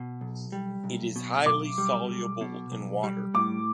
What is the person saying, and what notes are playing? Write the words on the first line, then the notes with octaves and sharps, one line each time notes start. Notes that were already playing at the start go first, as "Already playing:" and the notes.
It is highly soluble in water.
Already playing: B2
B1
G3
B1
B2
B1 D6
G3
B1
B2
B1
G3
A2 D6